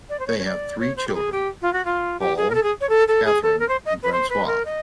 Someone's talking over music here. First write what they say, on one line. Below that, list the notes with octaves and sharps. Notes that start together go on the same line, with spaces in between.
They have three children: Paul, Catherine and Francois.
D5
C5
C#5
C#5
D5
C#5
C5
G4
G#4
G4
F4
F#4
F4
G4
G#4
A#4
A4
G#4
C#5
A4
A4
G#4
A4
A#4
C5
D#5
B4
C5
B4
A#4
D#5